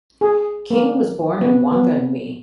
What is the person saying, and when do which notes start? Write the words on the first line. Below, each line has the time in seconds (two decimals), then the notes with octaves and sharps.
King was born in Whanganui.
0.21 G#4
0.70 A#3
1.41 B3
1.72 B3